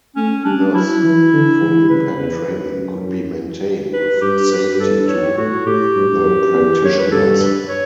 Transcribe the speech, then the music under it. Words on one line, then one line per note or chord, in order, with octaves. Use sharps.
Thus, full impact training could be maintained with safety to the practitioners.
A3 C#4
G3 D4
F#3 E4
E3
D3
E3
C#3 B4
E2 B4
F#2
F#2
B4
G2 G4
B4
G2 A4
C#5
A2 F#4
A2 G4
G2
F#2
E2
F#2 C#5
B4
G2 A4
B4
C#5